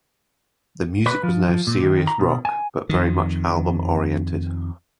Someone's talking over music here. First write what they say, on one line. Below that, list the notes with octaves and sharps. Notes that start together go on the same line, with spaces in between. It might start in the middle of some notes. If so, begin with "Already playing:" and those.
The music was now serious rock but very much album oriented.
B4
F3
F3
A#2
D#3
A#5
B2
G#5
F2 D#3